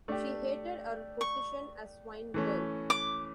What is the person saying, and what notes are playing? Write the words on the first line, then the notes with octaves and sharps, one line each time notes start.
She hated her position as swine-girl.
A3 D4 G4
C#6
E3 A3 C#4
D6